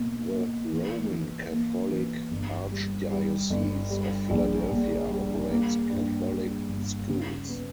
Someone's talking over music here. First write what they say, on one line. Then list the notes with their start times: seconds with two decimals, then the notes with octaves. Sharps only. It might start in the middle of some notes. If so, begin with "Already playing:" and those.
The Roman Catholic Archdiocese of Philadelphia operates Catholic schools.
Already playing: B2 A#3
0.32 A#3
0.72 E3
1.11 E3
1.52 A#3
1.91 E3
2.31 G1
2.71 G3
3.11 G3
3.50 G1
3.90 G3
4.30 A#1
4.71 A#2
5.10 G3
5.50 A#3
5.90 G2
6.30 G2
6.69 G1
7.09 C#3
7.49 B3